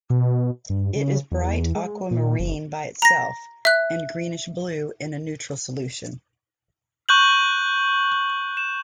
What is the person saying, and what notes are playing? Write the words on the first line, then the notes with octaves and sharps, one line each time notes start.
It is bright aquamarine by itself, and greenish-blue in a neutral solution.
B2
G2
C#3
E2
G#3
A#2
F#1
A#5 A#6
E5 F#6
C#6 F#6 G6 F#7
E7